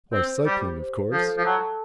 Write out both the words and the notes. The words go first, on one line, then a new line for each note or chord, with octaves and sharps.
"Why, cycling, of course."
C4 C5
G3 G4
C5
F3 A4
F3
F#3 A5